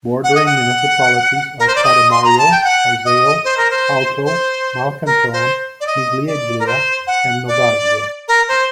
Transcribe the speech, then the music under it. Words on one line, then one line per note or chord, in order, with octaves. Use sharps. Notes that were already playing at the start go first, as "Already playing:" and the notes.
Bordering municipalities are Cademario, Iseo, Alto Malcantone, Miglieglia and Novaggio.
F#5
D#5
F#5
A#4
C5
D5
D#5
C6
A#5
A5
G5
F#5
D#5
C5
A#4
C5
C5
A#4
C5
D5
D#5
D5
A#4
C5
F#5
D5
A#4
C5